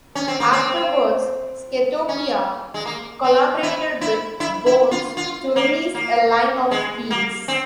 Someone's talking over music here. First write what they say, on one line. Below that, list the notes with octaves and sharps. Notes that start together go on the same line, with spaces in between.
Afterwards Skatopia collaborated with Bones to release a line of wheels.
C#4
C4
A#3
C4
C#4
G#3
A#3
C4
E4
E4
E4
E4
F4
F4
A#3
A#3
G#3
A#3
C4